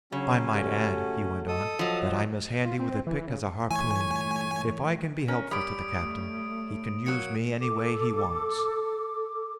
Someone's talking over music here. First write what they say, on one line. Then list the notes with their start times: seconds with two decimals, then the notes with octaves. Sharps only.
"I might add," he went on, "that I'm as handy with a pick as a harpoon. If I can be helpful to the captain, he can use me any way he wants."
0.12 C#3 F#3 C#4
0.52 A3 F#4 G4
1.48 A4 D#5 D#6
1.79 F3 F#3 D#5
2.65 F4
2.80 C4
3.07 E3
3.27 C#3
3.71 G2 A#2 E3 A3 C#5 G#5
5.28 C#4 A#4
5.51 G3 C#5 B5 D#6 D7
5.99 A3
7.06 F#3 A#3 C#7
7.60 A4 D6